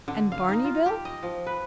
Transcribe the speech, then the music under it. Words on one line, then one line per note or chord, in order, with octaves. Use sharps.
"And Barney Bill?"
D3
F5
D#4
F4
G4
D#5
F3
B4